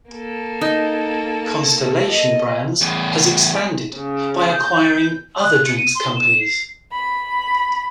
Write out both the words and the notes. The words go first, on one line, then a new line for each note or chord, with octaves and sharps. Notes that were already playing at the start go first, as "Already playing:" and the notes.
Constellation Brands has expanded by acquiring other drinks companies.
A#3 A4
D#4
D#5
E2 A2
C#3
G6
F#6
C#7
D#7
C6
E7
C7
B5